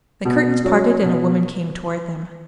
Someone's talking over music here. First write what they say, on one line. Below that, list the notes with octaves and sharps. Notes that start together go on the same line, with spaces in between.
The curtains parted and a woman came toward them.
B2
F#3 C#4
B2